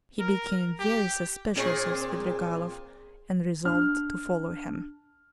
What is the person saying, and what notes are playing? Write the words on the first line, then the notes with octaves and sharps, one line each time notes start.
He became very suspicious of Svidrigailov and resolved to follow him.
A#4
G4
A#2 C4 G#4
D4 F6